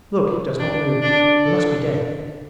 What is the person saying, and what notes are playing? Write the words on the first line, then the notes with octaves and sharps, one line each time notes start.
Look, he does not move--he must be dead!
D4
D4
A4